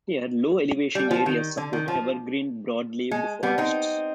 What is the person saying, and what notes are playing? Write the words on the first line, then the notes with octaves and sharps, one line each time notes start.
Here low elevation areas support evergreen broadleaved forests.
G3
F3
D#3
D3
D#3
F3
G#3
G3 B3
C4 D#4